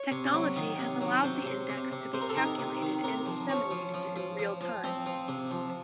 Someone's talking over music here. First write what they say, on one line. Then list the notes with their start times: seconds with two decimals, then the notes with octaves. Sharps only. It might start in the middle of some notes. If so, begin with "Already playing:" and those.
Technology has allowed the index to be calculated and disseminated in real time.
Already playing: C#5
0.11 C3
0.33 F#3
0.56 D#3
0.79 C3
1.01 F#3
1.23 C3 C5
1.46 C3
1.68 C3
1.92 C3
2.13 C3 C5
2.21 A#4
2.29 A4
2.36 D#3 A#4
2.58 C3
2.82 D#3
3.04 C3 A#4
3.26 F3
3.49 F3 C#4
3.71 F3
3.94 F3
4.16 F3
4.39 F3
4.61 F3
4.84 F3 C4
5.06 F3
5.28 C3
5.51 F3